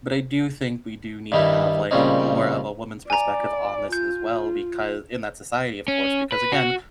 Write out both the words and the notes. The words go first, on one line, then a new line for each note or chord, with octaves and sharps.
But I do think we do need to have, like, more of a woman's perspective on this as well becau In that society of course, because again,
G2 D#3 G3 D#4 E4
A#2 C#3 G3 C4 C#4 D#4
D5 G#5 A#5
F4 G6
C#4
B4
F#4